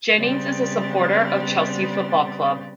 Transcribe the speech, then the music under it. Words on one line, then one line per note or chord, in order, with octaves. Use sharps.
Jennings is a supporter of Chelsea Football Club.
C#3 G3 B3 C4 A6